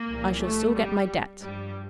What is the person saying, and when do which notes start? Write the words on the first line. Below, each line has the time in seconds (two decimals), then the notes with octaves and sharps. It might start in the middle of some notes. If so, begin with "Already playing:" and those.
I shall still get my debt.'
Already playing: A#3
0.09 C2 A#2 F3
0.43 A3
0.76 G3
1.42 G2 F3 G3